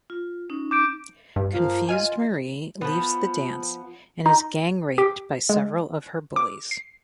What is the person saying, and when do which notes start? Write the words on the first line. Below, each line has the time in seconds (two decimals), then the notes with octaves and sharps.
Confused Marie leaves the dance and is gang raped by several of her bullies.
0.10 F4
0.50 C#4 D#4
0.71 D6 G6 D7
1.36 G2
1.53 F3 A#3 F4 F5
1.89 F4 D#5 G#5 F6 D#7
2.81 F3 B3
4.26 D#4
4.98 G4
5.49 G#3
6.36 D6
6.71 C7